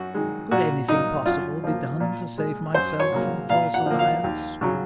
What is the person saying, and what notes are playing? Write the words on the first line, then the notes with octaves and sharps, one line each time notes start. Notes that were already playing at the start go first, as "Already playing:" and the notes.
Could anything possible be done to save myself from false alliance?
Already playing: F#2 F#4
D#3 G#3
A#2 F#4
F#3 A#3 D#4
F#2 F4
F3 A#3
A#2
G#3
F#2 C5
C#5
C#3 F#3 A#3
A#2 F5
F#5
F3 A#3
F5
D#2
C#3 F#3